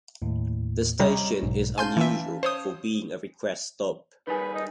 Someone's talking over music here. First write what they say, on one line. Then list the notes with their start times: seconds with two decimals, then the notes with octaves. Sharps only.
The station is unusual for being a request stop.
0.22 D#2 A2
1.00 C3 G3 C#5 D#5 A#5
1.43 B1 G#2
1.78 C#4 F5 G#5 A5 C6 G6
1.97 E3 E5
2.43 C5 C#5 D#6
4.27 D#3 G3 G#4 B4
4.54 D#4